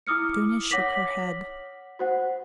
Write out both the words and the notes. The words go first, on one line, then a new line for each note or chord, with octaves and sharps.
Dounia shook her head.
E4 D6 D#6 F6 C#7
C#5 F#5 D6 A#6 B6 F#7
F#4 C5 F#5